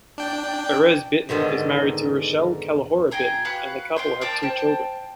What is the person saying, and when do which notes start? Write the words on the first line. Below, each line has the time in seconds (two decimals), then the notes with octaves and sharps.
Erez Biton is married to Rachel Calahorra Biton and the couple have two children.
0.18 D4 G5
1.29 G#2 B2 D3 D#3
3.11 G#4 G5 G#5 A#5
3.45 F#4 B4 F5 F#5
3.96 F5 G5 C6 G6
4.21 A#4 D5 G5 A5
4.43 C5 G5 A5